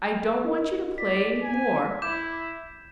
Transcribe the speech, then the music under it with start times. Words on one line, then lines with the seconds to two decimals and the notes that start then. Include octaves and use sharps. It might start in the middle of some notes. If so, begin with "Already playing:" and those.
I don't want you to play any more.
0.44 E4 A#4 D#5
0.98 D5 B6
1.42 G#5
2.02 E4 D6 G6 E7